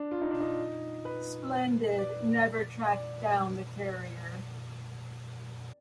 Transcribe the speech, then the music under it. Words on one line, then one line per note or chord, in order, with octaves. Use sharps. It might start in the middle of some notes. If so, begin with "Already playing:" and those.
"Splendid" never tracked down the carrier.
Already playing: D4
F4
D#4
D4
D#4
B4
D5
D5